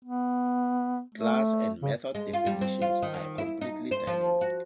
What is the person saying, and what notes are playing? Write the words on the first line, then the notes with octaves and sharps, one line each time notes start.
Class and method definitions are completely dynamic.
B3
A3
C#3
G#3
F4
G3
C4
F4
D#3
E4
D#4
C5
F3
F#4